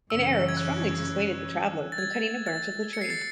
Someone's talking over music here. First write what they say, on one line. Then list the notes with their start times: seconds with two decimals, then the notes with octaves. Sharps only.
An Arab strongly dissuaded the traveller from cutting a branch of the tree.
0.10 F#2 C#3 E3 E6
0.49 G#6
0.57 F#6
1.92 A6
1.98 G#6
2.46 A6
2.93 C#7
3.01 C7
3.10 A6